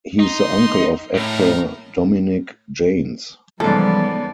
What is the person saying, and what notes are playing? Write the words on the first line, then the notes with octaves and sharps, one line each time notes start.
He is the uncle of actor Dominic Janes.
D#4 D#5 C6
A2 D#4 A#4
G#2 C#3 E3 F3 G3 B3 A4 D5